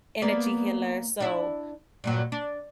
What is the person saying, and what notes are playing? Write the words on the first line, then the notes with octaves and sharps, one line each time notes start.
energy healer, so
A#3 B3 D5
D4 E4
G2 A#2 F#3
D4